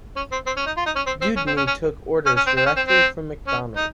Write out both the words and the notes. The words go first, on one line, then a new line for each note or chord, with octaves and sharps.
Dewdney took orders directly from Macdonald.
C#4
C4
C4
C#4
D#4
F4
D#4
C#4
C4
C4
C#4
C4
C#4
C#4
C#4
C#4
C4
C4
C#4
C4
C4
C#4
D#4